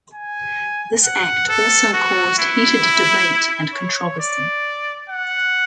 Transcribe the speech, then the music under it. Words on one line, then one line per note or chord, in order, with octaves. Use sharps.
This act also caused heated debate and controversy.
G#5
F#5
A4
F#4
E4
C#5
D5
F#5